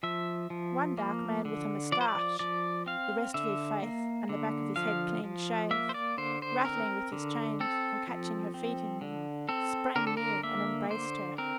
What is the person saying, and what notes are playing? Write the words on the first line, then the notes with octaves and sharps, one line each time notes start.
One dark man with a moustache, the rest of his face and the back of his head clean shaved, rattling with his chains and catching her feet in them, sprang near and embraced her.
F3 E5
F3
A#3
D3
F3 D5
C5
D5
F3 D5
C4 F5
D3 E5
A#3
D3
F3 F5
F3
A#3 E5
C5
D5
D3 C5
C5
C4 A#4
D3
C4 A4
F3
C4
D3
C4 A4
D3 A#4
A4
A#4
A#3 E5
D3 C5
C4 A#4